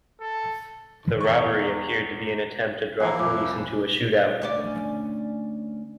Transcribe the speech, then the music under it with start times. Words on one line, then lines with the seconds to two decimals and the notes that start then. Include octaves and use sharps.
The robbery appeared to be an attempt to draw police into a shootout.
0.20 A4
1.20 E2 C#6
3.00 E3 F3 A#3 E4 G#5 A#5 F#6 C7
3.19 C2 F2 D6
4.42 D2 C#4 D5